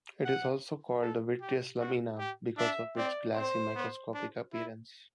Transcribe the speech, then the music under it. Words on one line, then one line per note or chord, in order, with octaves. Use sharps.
It is also called the "vitreous lamina", because of its glassy microscopic appearance.
F#5
A4
G4
F#4
G4
D4 E5
C4 D5
C4 C5
B3
D4
E4